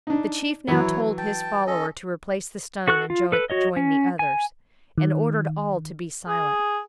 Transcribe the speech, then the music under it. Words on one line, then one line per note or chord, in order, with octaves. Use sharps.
The chief now told his follower to replace the stone and join the others, and ordered all to be silent.
D4 D#4
E3 F#3 E4 C#5
G5 A5
C#4 A4 D#5
F#4 A4 C#6 F#6
F4
A4 B4
F#4 C#5 D#5
C#4
G#5
D#3
G#4